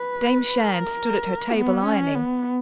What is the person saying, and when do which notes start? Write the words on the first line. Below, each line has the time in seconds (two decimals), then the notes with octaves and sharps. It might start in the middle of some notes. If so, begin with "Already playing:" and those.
Dame Shand stood at her table ironing.
Already playing: B4
0.63 A#4
1.54 B3
1.85 C#4
2.15 B3